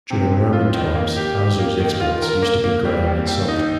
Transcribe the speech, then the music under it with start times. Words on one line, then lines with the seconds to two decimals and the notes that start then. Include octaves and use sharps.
During Roman times, Arzew's exports used to be grain and salt.
0.10 C3
0.32 F2
0.53 F4
0.74 D#3
0.95 A#3
1.16 G4
1.38 G4
1.59 A#3
1.80 D#3
2.00 F4
2.22 A#4
2.42 A#3
2.64 A#3
2.85 G3
3.07 D#2
3.27 D#2
3.48 D#4